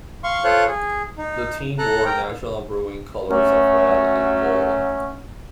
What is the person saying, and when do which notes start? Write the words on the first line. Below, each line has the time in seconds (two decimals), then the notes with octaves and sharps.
The team wore National Brewing's colors of red and gold.
0.24 F5 C6 C#6
0.44 F4 A4 C5 C#5 F#6
0.68 G#4
1.18 D#4
1.79 A4 A#5 F#6
2.06 A#4 G5 A#5
3.29 F#3 A3 C#4